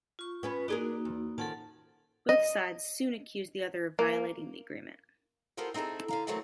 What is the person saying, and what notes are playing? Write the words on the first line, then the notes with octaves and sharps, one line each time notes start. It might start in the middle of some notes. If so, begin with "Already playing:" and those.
Both sides soon accused the other of violating the agreement.
F4 C#6
B3 C#4 B4
A#3 D4 D#4 F#4 G#4 A#4
E2
D#3 F3 C#4 A4 F#5 A5
D#5
A#3
B3 F4 G4 A4 A#4 C5
C4 D#4 E4 G#4 A4
D3 F5 A#5
D3 E3 F#3 A3 A#3 C4